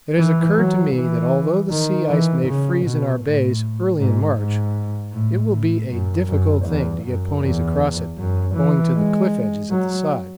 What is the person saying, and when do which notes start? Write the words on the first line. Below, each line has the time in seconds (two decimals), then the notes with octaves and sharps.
It has occurred to me that although the sea ice may freeze in our bays early in March it will be a difficult thing to get ponies across it owing to the cliff edges at the side.
0.18 E3
0.57 F#3
0.94 E3
1.70 D#3
2.09 E3
2.47 C#3
2.85 B2
3.23 A2
3.99 G#2
4.37 G#2
5.13 A2
5.52 A2
5.89 F#2
6.28 F#2
6.65 E2
7.03 F#2
7.42 E2
8.18 F#2
8.55 E3
8.94 G#3
9.70 F#3